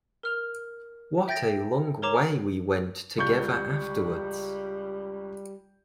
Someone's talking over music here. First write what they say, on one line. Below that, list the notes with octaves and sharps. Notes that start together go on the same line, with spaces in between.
What a long way we went together afterwards.
A#4 F6 F7
E5 G5 G6 A6 A#6 D7
A#4 C#5 A#5 D6 E7
C#2 G3 C#6 G6